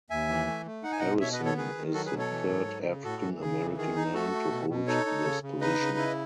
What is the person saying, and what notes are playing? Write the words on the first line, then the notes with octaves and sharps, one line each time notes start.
Harrison is the third African American man to hold this position.
D#2 E5 G#5
E3
A3
A3
D#4 F#5
G#5
B2 D#5 F#5
B2 C#5 E5
B4 D#5
B3
A4 C#5
D#3 G#4 B4
D#3
F#3 F#4 A4
G#4 B4
B2
A4 C#5
E3
G#2
F#3
C#3
A2 F#4 A4
E3
C#3 G#4
E3
D#3 G#4
D#4
A3 F#4 A4
A3
B2
B2
D#4 A4 C#5
D#4
C#3
C#3
D#4 B4 D#5
C#3
E4